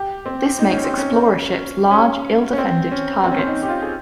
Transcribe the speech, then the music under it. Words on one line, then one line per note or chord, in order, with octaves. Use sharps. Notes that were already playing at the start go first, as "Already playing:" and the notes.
This makes Explorer ships large, ill-defended targets.
Already playing: G4
C4
D#4
C#4
C4
C#4
C#4
C#4
C4
C#4
C4
C#4
C4
D#4
G4
F4
G#4